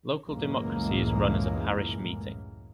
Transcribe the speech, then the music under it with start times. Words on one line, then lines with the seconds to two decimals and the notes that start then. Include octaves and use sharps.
Local democracy is run as a Parish meeting.
0.26 C#2 F#2 A2 E3 G#3 A#3